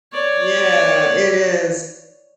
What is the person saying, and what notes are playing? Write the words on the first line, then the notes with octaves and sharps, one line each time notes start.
Yeah, it is.
C#5 D5